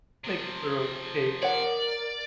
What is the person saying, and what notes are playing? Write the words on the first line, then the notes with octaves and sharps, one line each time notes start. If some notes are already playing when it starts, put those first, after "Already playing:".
make us our own cake
C3 F3
A#4 C#5 D5 F#5